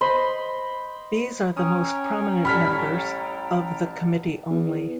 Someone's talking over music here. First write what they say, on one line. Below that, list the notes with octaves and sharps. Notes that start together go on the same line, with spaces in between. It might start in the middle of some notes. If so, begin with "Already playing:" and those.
These are the most prominent members of the committee only.
C5 D#5 B5 C6
C#4 G5 A#5 D#6
A1 G3 A4 B5 F6 B6
E2